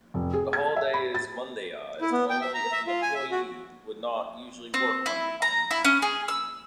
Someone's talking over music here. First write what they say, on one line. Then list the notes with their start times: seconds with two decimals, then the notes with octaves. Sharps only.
The holiday is Mondayised only if the employee would not usually work on weekends.
0.14 F1
0.33 G#4
0.53 G#6
0.76 E5
0.94 B5
1.15 A6
2.01 E4
2.12 B3
2.30 G5
2.41 E5
2.54 A#5
2.72 E5
2.87 F4
3.02 G#5
3.14 E5
3.32 F#4
4.74 C4
5.06 E4
5.42 A#5
5.71 E4
5.85 C#4
6.02 G#4
6.28 E6